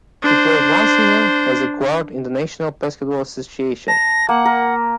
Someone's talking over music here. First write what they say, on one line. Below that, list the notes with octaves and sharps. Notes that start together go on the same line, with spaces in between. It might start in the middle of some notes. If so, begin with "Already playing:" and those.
He played one season as a guard in the National Basketball Association.
D4 C5
A5 A#6
A#3 F#5
A#4